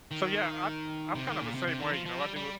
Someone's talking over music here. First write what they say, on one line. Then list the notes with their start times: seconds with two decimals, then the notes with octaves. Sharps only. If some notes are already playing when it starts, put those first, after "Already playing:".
So, yeah, I I'm kind of the same way, you know. I do a
0.11 D#3
1.15 C3
1.27 D#3
1.41 A#2
1.55 C3
1.67 C3
1.79 D#3
1.93 F3
2.06 F3
2.19 G3
2.36 G3